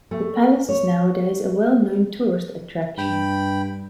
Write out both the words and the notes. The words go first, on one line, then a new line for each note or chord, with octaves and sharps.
The palace is nowadays a well known tourist attraction.
A3
C#5
G2 G5 B5